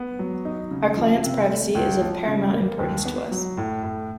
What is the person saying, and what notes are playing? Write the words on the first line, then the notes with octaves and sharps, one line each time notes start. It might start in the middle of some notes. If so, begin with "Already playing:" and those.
Our client's privacy is of paramount importance to us.
Already playing: B3
F#3
D#4
C#3
F3
C3
A3
C#2
F3
C#3
A#3
D#2
B3
F#3
A2
A2